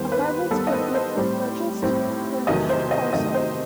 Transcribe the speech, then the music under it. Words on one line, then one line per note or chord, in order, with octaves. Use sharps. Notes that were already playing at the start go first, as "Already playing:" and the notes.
Apartments could be purchased, furnished, or sold.
Already playing: D#2 D#3 G3 B3 C5
B4
C5
D#2 D#3 G3 B3 A4
D#5
C5
C5
A2 G3 C4
A2 G3 C4
E2 C3 D#3 F#3 A3 D#5
C5
D#5
E2 C3 D#3 F#3 A3 D#5
C5